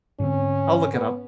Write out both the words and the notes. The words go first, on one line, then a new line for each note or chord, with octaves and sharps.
I'll look it up.
G#2 D3 C4 C#4
B3